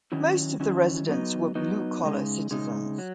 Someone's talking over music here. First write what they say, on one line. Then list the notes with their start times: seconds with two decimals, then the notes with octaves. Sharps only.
Most of the residents were blue collar citizens.
0.12 D#3 F#3 C#4 E4
0.60 D#3 F#3 C#4 E4
1.07 F#3 B3 D#4
1.55 F#3 B3 D#4
2.04 C#3 G#3 D#4
2.51 C#3 G#3 D#4
2.98 F#3